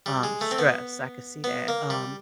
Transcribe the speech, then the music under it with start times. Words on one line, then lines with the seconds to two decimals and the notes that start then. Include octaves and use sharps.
um, stress. I could see that. Um,
0.06 G3
0.24 G#3
0.41 A3
0.51 C4
0.58 B3
1.44 B3
1.68 A#3
1.90 G3